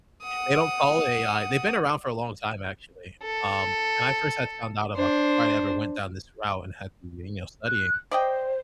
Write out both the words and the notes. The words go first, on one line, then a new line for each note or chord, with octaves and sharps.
They don't call it AI. They've been around for a long time, actually, um, and I first had found out about them before I ever went down this route and had been, you know, studying.
F#5 D#6
A4
D4 C5
F#6
C5 D5 D#5 G5